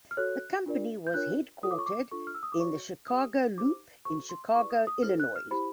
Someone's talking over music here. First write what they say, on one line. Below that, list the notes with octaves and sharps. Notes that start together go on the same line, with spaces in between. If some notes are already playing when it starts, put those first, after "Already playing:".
The company was headquartered in the Chicago Loop in Chicago, Illinois.
F6
F#4 A4 C#5 F#6
D4 F4 A#4 D5
G6
D4 F4 A#4 C#5 F#6
F4 A4 C#5 D#6
D6
C#6
D6
D4 F4 A4 C#6
F6
E6
D#6
D6
F#4 A4 C#5 C#6
G4 C5 D#6
D#4 G4 C5 D6
F#4 A4 C5 C#6
C6
E4 G#4 B4 D5 C#6
D#6
D#6
E4 A4 C5 F6
F#6
F6
E4 G4 C5 B5